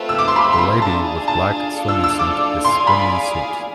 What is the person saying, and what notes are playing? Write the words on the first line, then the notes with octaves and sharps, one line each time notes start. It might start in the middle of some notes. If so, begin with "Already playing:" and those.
A lady with black swimming suit is spinning suit.
Already playing: A3 C4 F4 B4
E6
D6
C6
B5
C6
B5
D4 F4 G#4 A5
A5
D4 F4 A4 D5
E6
E6
D6
G#4 D5 F5 G#5 C6
B5